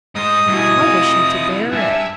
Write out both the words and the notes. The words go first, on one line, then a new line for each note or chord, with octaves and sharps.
How was she to bear it?
G#2 C5 D#5 D#6
G2 B2 E4 F#4 G#5
C3 E4 F4
G2 E5 G#5